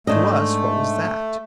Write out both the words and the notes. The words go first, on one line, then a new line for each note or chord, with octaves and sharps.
To us what was that?
G#2 A3 D4 D#5